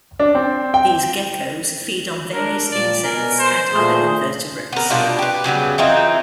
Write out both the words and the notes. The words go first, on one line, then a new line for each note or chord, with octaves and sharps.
These geckos feed on various insects and other invertebrates.
D4
C4
G5
D4 A#4
A#2 D5
B2 A#4 G#5
C5
A#2 A3 G#4
B3 A#4
B2 G3 D4 F4
G4 B4
C#3 F#3 G3 B3
E3 F3 C4 D#4